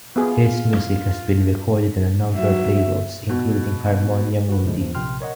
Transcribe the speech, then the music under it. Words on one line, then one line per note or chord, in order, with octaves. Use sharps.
His music has been recorded on a number of labels, including Harmonia Mundi.
B3 F4 G#4
F#3 E5
B2
F#4 B4
E2 A2 D3 F3 G#3
E2 F3
A#1 C3 G5 C6 F6
A#4 C#5 D#5 F#5